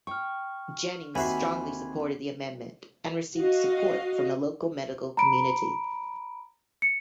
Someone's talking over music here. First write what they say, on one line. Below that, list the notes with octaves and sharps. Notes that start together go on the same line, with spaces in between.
Jennings strongly supported the Amendment and received support from the local medical community.
G5 C#6 F6
D#2 C4 F#4 E5 F#5 G#5 B5 C6
F#4 D#5 F5
A#5 B5 D7
C#7